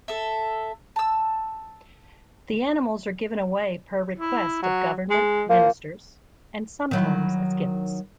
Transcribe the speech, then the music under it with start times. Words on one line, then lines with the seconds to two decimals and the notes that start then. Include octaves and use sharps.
The animals are given away per request of government ministers and sometimes as gifts.
0.08 A4 E5
0.96 A5 E6
4.18 E4
4.62 F#3
5.10 G#3
5.50 F3 A#3
6.91 D#3 F#3 E4